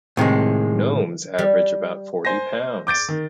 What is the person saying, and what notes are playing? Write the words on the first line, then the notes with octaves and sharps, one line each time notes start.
Gnomes average about forty pounds.
A2 C3 D#3 G#3
G3
C5 G#5 A#6
D6 G6 A6 D7
D#3